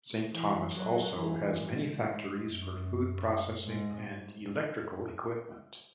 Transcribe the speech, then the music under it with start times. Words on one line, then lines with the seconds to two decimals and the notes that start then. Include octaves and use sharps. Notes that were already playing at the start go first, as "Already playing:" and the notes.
Saint Thomas also has many factories for food processing and electrical equipment.
0.32 E3
0.73 F#3
1.15 E3
1.57 G#2
1.98 G#2
2.41 F#2
3.65 G#2